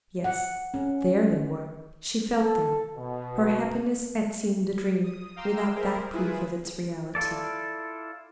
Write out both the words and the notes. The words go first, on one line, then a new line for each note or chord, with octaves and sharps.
Yes; there they were; she felt them. Her happiness had seemed a dream without that proof of its reality.
F#5
C#4
A4
B2
D#6
F5 G5 A#5 C6 D6 E6
G#4 A#4 C5 E5
E4 F4 G#4 B4
E4 F4 A4 D5